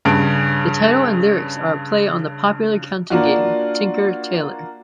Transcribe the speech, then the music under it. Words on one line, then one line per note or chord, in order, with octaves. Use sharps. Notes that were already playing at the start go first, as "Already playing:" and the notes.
The title and lyrics are a play on the popular counting game Tinker, Tailor.
G2 C#3 D7
A#3 D4 F4 F#4